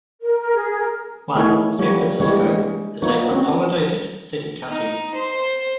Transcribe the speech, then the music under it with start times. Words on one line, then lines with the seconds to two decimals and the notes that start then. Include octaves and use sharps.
One, San Francisco, is a consolidated city-county.
0.22 A#4
0.40 A#4
0.56 G#4
0.79 A#4
1.35 D#3 A3 E4 G#4 B4 C#5
1.79 F3 G3 A#3 F#4 C#5
2.20 E3 G3 G#3 A#3 D4 C#5
2.44 G#3
3.02 F3 A#3 B3 D#4 C#5
3.31 C4 C#4 F#4
4.69 D#4
5.14 C5